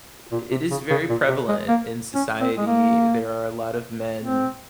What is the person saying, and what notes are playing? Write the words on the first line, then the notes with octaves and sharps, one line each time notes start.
It is very prevalent in society. There are a lot of men
A#2
C3
C#3
C#3
A#2
C3
G#3
A#3
C#4
C4
G#3
A#3
C4